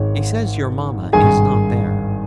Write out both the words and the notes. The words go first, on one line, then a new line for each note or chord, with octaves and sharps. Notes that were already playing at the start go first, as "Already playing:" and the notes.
He says your mamma is not there.'
Already playing: G#1 G#2 D#3 G#3 C#5
G#1 G2 D#3 G#4 G#5